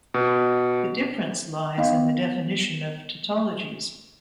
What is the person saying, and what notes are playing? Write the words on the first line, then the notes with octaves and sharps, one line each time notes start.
The difference lies in the definition of tautologies.
B2
B3 D#4 D#5 F5